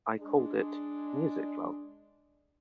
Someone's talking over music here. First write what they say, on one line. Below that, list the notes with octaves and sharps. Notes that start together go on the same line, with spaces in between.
I called it 'Music Love'.
G#3 D4